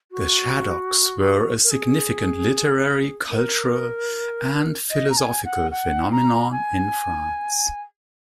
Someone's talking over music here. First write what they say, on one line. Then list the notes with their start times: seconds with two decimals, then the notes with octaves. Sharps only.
The Shadoks were a significant literary, cultural and philosophical phenomenon in France.
0.11 F#4
1.64 A#4
1.71 G#4
3.30 A#4
4.91 D#5
5.10 A#5
5.17 G#5
5.45 F#5
5.71 F#5
6.12 A#5
6.52 G#5